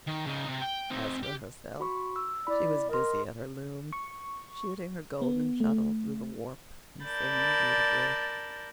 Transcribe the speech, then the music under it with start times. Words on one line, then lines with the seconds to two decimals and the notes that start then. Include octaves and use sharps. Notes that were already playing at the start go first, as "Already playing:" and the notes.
As for herself, she was busy at her loom, shooting her golden shuttle through the warp and singing beautifully.
0.08 D#3
0.27 C#3 D#4
0.48 C3
0.62 G5
0.91 C4 D#4
1.23 G4
1.80 F#4 B5 C#6
2.16 E6
2.47 E4 D5 B5
2.90 A#4 D#5 C6
3.93 C#6
5.22 B3
5.60 A3
7.04 A#4 D5 A5 B5 G6 A6